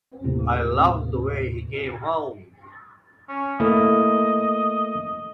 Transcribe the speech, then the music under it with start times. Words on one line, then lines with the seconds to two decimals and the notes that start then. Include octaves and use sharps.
I loved the way he came home.
0.24 D#2 A2 C3
3.29 C#4
3.60 A3 A#3 E4 D#5